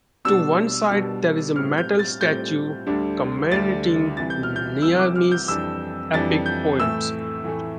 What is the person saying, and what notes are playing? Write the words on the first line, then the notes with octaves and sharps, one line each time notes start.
To one side, there is a metal statue commemorating Nizami's epic poems.
B2 G3 D4 E6
B2 G3 D4
A2 G3 C4 F6
G6
A6
A2 G3 C4 G6
D2 D3 G3 D4
D2 D3 G3 D4 A6
C2 C3 E3 A6
G6
F6
G6
C2 C3 E3 E6
D6
F6
G6
F2 E3 G3 D4 E6
F2 E3 G3 D4 A6
G6
A2 E3 A3 E6
A2 E3 A3